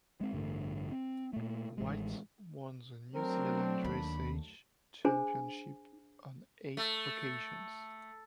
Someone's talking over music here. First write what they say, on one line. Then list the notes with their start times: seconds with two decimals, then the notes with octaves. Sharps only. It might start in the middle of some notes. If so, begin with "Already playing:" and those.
White won the New Zealand dressage championship on eight occasions.
0.21 G#3 C4
0.33 A1 G2 D3 A3
0.92 C4
1.33 A#2 A3
1.78 A1 G#3
3.15 F#3 A3 C4 D4 A#4
3.85 D#2 B5
5.05 D4 G#4 C5 G#5
6.77 A3